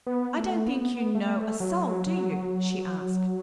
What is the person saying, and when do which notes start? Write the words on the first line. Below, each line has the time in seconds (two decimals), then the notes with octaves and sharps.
"I don't think you know a soul, do you?" she asked.
0.07 B3
0.37 A3
0.68 B3
1.15 A3
1.60 F#3
2.07 F#3